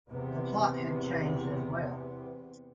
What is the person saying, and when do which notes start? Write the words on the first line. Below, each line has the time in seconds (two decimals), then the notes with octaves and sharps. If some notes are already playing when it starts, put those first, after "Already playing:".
The plot had changed as well.
0.12 E2 C3 B3